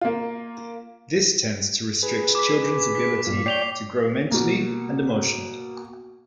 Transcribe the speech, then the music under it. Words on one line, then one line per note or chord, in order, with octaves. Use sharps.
This tends to restrict children's ability to grow mentally, and emotionally.
A#3 F4
G#4 B4
D6 B6
B6
G2 F4
C#5 D5 G5 C7 F7 G7
B2 A#3